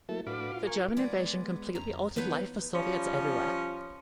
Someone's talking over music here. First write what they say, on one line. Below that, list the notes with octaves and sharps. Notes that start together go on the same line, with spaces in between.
The German invasion completely altered life for Soviets everywhere.
F#3 A3 A#3 E4 A4
A2 D4 F#4 B4 F5 D6
F4
A#4 G#5 C#6
G#3 B3 D5
F2 A#5
F3 B3 D#4 B4 C#5
F3 G3 C#4